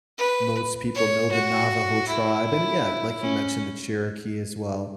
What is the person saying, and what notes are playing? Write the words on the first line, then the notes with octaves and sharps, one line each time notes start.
most people know the Navajo tribe, and, uh, yeah, like you mentioned, the Cherokee as well,
B4
C#5
F#4
E4
C#4